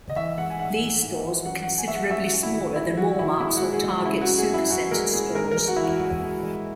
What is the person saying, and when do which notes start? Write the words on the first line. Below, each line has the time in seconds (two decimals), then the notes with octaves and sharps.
These stores were considerably smaller than Walmart's or Target's supercenter stores.
0.10 D#5
0.16 E3 E5
0.38 G#3 F#5
0.50 G#5
0.59 G#2 F#5
0.81 G#2
1.02 G#2
1.24 E3
1.45 F#2 F#5
1.62 F#5
1.68 F#2
1.78 G#5
1.88 G#3 E5
1.95 F#5
2.11 F#2 E5
2.26 F#4
2.33 F#2
2.43 E4
2.54 D#3
2.59 F#4
2.76 G#3 E4
2.97 G#3 F#4
3.19 A#2 E4
3.40 G#3 E4
3.57 F#4
3.62 G#3
3.73 G#4
3.84 G#3
3.89 F#4
4.05 C#3 E4
4.21 F#4
4.27 F#2
4.38 G#4
4.48 F#2
4.54 E4
4.70 F#2 F#4
4.91 G#3 A#4
5.13 G#3 G#4
5.35 G#3 A#4
5.51 A#4
5.56 G#3
5.68 F#4
5.76 E3 E4
5.84 F#4
6.00 G#3 F#4
6.21 G#3
6.43 G#3